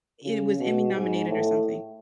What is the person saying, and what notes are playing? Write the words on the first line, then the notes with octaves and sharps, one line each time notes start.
It was Emmy nominated or something,
C#3
B2
G#2
A2